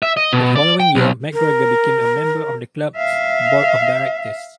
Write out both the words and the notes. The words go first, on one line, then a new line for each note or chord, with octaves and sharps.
The following year McGregor became a member of the club's board of directors.
E5
D#5
B2
D5
G5
B1
A#4
E5 F5